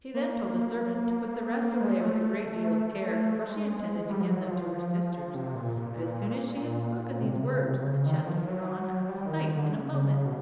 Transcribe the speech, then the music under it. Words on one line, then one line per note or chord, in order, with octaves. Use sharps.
She then told the servant to put the rest away with a great deal of care, for she intended to give them to her sisters; but as soon as she had spoken these words the chest was gone out of sight in a moment.
A#3
A#3
A#3
A#3
G#3
A3
G#3
G3
F3
F#3
F3
F3
C3
A#2
A#2
C3
C#3
C3
C#3
D#3
F3
F#3
G3
D#3
D#3
D3
C#3
B2